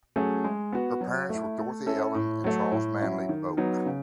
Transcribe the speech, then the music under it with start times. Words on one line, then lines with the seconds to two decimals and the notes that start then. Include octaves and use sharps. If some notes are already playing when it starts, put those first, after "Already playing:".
Her parents were Dorothy Ellen and Charles Manley Boak.
0.16 F#3 A3 C#4 G#4
0.44 G#3
0.72 B3 F#4
1.01 F#3
1.30 A3 E4
1.58 A3
1.86 C#4 E4 A4
2.15 A2
2.44 F#3 A3
2.71 A2
3.00 F#3 C#4 E4
3.29 D#3
3.57 F#3 B3 D#4
3.86 C#3